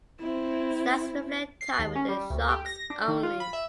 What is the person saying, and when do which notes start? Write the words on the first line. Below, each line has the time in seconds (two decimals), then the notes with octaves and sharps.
Stats reflect time with the Sharks only.
0.20 C4 E4
1.61 C7
1.79 D#2
1.96 C#4
2.08 G3
2.30 D2
2.49 G4
2.66 A#6
2.90 D4
3.08 D#3
3.23 F4
3.40 B5
3.53 E5